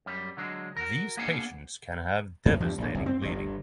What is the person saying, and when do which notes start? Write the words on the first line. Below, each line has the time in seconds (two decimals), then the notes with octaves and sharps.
These patients can have devastating bleeding.
0.06 F#2 G3
0.37 D3 F#3 G#3
0.77 F#4 A#4
1.17 A#3 B3 D4 G#4 F5 F#5
2.46 F#2 A#3
2.60 E2 G2 F3 G3
2.78 A#1 G#2
2.94 F#1 C2
3.06 C4
3.22 G1 G2